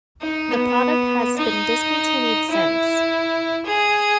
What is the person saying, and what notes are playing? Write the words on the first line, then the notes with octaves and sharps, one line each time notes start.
The product has been discontinued since.
D#4
B3
D#4
E4
G#4